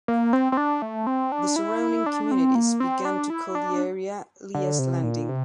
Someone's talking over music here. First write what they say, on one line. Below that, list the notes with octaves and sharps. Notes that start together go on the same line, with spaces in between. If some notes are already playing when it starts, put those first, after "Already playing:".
The surrounding communities began to call the area "Lea’s Landing".
A#3
C4
C4
D4
A3
C4
D4
E4
D4
C4
A#3
C4
D4
E4
D4
D3
C3
A#2
C3